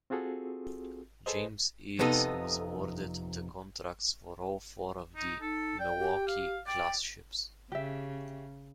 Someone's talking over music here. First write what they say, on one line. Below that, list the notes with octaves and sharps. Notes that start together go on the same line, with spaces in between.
James Eads was awarded the contracts for all four of the "Milwaukee"-class ships.
C4 F4 F#4 G#4 A4
G#4 A4 B4 C5 D#5
F2 C3 B3 D#4 A4
D#4
D#4 A4
D5 G5
G4
F5
D5 G5
C#3 G4 E5